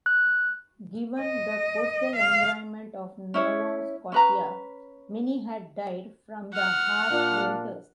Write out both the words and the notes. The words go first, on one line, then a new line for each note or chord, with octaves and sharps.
Given the coastal environment of Nova Scotia, many had died from the harsh winters.
F#6
D#5
F5
C#4 E4 C#5
C#4 B4 A#5
F#5 F6
A#2 D4 F4